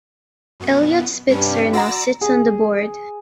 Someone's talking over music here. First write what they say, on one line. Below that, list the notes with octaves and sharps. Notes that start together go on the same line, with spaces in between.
Eliot Spitzer now sits on the board.
F#2 B2 B3
G2 C3 G3 C#4
F#4 D5 F#5 A#5 E6 A#6
G#4